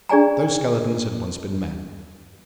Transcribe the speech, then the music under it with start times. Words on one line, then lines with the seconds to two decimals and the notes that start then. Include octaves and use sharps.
Those skeletons had once been men.
0.09 D4 G#4 D5 G#5 A#5